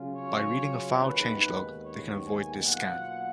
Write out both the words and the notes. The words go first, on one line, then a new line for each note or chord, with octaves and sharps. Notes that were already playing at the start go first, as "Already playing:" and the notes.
By reading a file change log, they can avoid this scan.
Already playing: C#3 F#3 C#4 F4
C#5
D#2 D#3 G#3 B3 D#4 B4
C#5
G#5
B2 F#3 A#3 F4 F#5